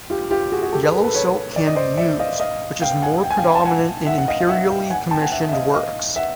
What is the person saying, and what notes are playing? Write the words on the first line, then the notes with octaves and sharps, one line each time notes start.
Yellow silk can be used, which is more predominant in imperially commissioned works.
F4 G4
F4 G4
F#4 G#4
F#4 G#4
G4 A4
G#4 A#4
A4 B4
A4 B4
B4 C#5
D5
D#5
C5 D5
D5 E5
D#5 F5
D#5 F5
F5 G5
F#5 G#5
G5
G#5
F5 G5
A5
F#5 G#5
E5 F#5
F#5
D#5 F5
F5
E5 F#5
F5 G5
F#5 G#5
G5 A5
F#5 G#5
E5 F#5
E5
D#5 F5
D#5 F5
E5 F#5